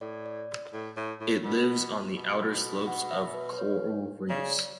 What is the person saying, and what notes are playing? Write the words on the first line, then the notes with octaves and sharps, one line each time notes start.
It lives on the outer slopes of coral reefs.
A2 D5
D5
A2
A2
A2
B2
B2
F#5
E5
B4
B4
C#5
C#3 D5